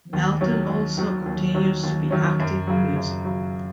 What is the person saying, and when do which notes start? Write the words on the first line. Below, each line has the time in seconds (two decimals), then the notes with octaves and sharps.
Melton also continues to be active in music.
0.13 D#2
0.41 D#3 F#3 C#4
0.69 D#2
0.97 D#3 F#3 C#4
1.26 D#2
1.54 D#3 F#3 C#4
1.83 D#2
2.11 D#3 F#3 C#4
2.40 F#2
2.67 C#3 F#3
2.96 F#2
3.25 C#3 F#3